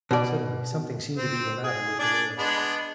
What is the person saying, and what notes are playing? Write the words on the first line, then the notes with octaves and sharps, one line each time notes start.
Suddenly something seemed to be the matter with the whale.
B2 D5
C4
G#4
D4 D5 G#5
G#3 B3 D4